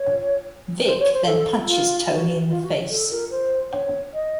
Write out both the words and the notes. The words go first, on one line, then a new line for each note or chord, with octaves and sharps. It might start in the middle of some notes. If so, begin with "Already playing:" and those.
Vic then punches Tony in the face.
Already playing: C#5
C5
C#5
C5
A4
F4
F#4
F4
F#4
A4
A#4
C5
C#5
D#5